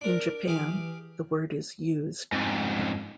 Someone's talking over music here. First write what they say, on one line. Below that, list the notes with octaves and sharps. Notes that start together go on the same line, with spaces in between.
In Japan, the word is used.
D4 A#4
E3 G4 G#4 F5
F2 G#2